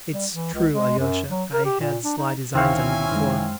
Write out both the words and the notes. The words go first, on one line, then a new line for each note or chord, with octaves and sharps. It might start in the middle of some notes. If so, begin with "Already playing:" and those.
It's true, Alyosha, I had sly designs on you before.
G3
E3
C#2
G#3
F#2
F#3
A#4
G4
A#2
D4
D#4
D2 D#3 C4 C#4 E4 F5 G#5 C#6
F#2 D#3 G#3